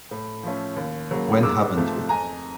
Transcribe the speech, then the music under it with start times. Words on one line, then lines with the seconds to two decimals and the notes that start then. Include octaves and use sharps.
When haven't we?
0.11 A2
0.43 F3 A3 C#4
0.76 D#2
1.11 C#3 F#3 A#3
1.43 G#2 D6 E6
1.77 F3 A3 C4
2.09 F2 G#5 A#5